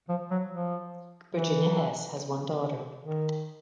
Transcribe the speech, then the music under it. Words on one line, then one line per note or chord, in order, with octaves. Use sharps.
Virginia Hesse has one daughter.
F3
F#3
F3
E3
D#3